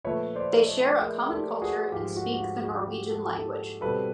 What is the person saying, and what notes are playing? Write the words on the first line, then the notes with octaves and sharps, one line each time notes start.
They share a common culture and speak the Norwegian language.
A#2 F3 A3 B4 C#5
C5 D5
C#5 D#5
G#4 A#4
G4 A4
F#4 G#4
G#2 F3 G#3 F4 G4
F#4
F#4
F4
F#4
F#4
F4 G4
G4 A4
G4 A4
B2 G3 C4 A4 B4